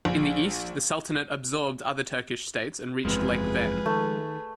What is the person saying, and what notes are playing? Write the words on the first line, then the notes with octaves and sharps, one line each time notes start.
In the east, the sultanate absorbed other Turkish states and reached Lake Van.
A#1
F#1 E2 F3 G#3 C4 G#4 B4
D#3 A3